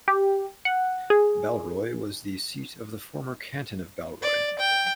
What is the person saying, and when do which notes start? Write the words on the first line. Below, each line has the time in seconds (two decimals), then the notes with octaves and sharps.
Balleroy was the seat of the former Canton of Balleroy.
0.08 G4
0.65 F#5
1.10 G#4
4.22 D5
4.59 G5